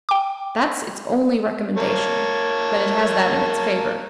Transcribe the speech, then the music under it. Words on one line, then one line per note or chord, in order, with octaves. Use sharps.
That's its only recommendation, but it has that in its favor.
G5 D6
A#3 C#5 A5